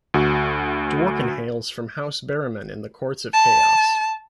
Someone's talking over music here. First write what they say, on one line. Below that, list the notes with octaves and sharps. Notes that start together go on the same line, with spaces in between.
Dworkin hails from House Barimen in the Courts of Chaos.
D2 F#4
A5